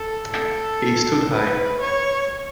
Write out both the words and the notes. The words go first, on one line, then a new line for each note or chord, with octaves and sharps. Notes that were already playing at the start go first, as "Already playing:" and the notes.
He stood high.
Already playing: A4
A4
B4
C#5